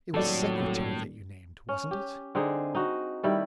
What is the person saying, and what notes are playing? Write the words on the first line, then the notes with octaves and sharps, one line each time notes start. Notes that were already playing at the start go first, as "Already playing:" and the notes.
'It was Secretary that you named; wasn't it?'
D#1 A2 F#3 A4 D5
C#4
G4
D3 C4 D#4 G#4
D#4 F#4
D#3 G3 A3 E4